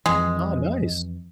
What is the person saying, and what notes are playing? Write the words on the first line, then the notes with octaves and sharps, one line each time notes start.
Oh, nice.
F2 E3 G#3